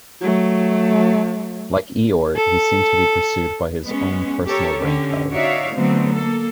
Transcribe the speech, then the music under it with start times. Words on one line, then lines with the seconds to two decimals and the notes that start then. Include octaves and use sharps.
Like Eeyore, he seems to be pursued by his own personal raincloud.
0.21 F#3 A3
2.36 A4
3.85 G#3 B3 C#4
4.47 G4 A4 A#4 C#5
4.78 D3 C#4 G4
5.32 D#4 F#4 C#5 D5 E5 F5
5.74 D3 F#3 A3 B3 C4
6.14 A#3 A4